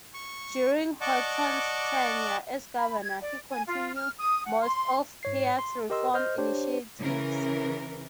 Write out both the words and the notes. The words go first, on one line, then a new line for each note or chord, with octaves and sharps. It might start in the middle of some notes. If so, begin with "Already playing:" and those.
During Horton's tenure as governor, he continued most of Peay's reform initiatives.
C#6
D5 D#5 F#5 A5 C#6 D6
B5
G#6
D5
G#5
F4
F6
D#6
F#5
C6
G#2 C#5 C7
C6
G4 A#4 D#5 C6 E6
C5 D#5 F6 G6
D4 G4 C5 C#5
C#3 E3 A#4